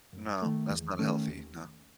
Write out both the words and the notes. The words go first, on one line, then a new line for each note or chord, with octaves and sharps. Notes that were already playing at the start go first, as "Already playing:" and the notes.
No, that's not healthy, no.
F#2
D#3 A3
E2
D#3 A3 C#4
D#2